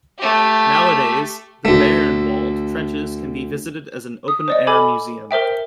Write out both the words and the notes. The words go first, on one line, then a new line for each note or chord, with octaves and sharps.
Nowadays, the "Bayernwald" trenches can be visited as an open-air museum.
A3 G4
D2 A3
D#6
C5 D5 D#5
A4 G#5 B5 D6
A#4 C5 E5 G5